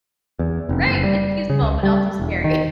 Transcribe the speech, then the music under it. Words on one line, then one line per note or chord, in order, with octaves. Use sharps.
Right, it's useful, but also scary.
E2
F1
F#1
G3
C#3
C#2
G3
E1
D#3